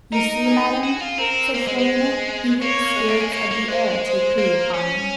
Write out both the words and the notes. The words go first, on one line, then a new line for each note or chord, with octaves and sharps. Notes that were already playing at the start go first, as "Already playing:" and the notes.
"You see, madam," said Florina, "even the spirits of the air take pity upon me."
D#4 A#4
G#4
F#4
F4
C4 A#4
A#3 C5
G#3
G#3
A#3 C#5
G#3
A#3
G#3
A#3 C#5
A#3
G#3 C5
C5
A#3
C#4